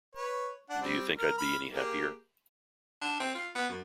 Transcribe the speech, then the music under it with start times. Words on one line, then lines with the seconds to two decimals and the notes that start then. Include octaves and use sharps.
Do you think I'd be any happier?
0.16 B4 C#5
0.70 D4 F#5
0.82 G3 C4
1.18 A#4 F6
1.38 B5 F6
1.71 A#3 G4 G#4
3.02 D4
3.20 C4
3.35 F4
3.55 B3
3.70 F#2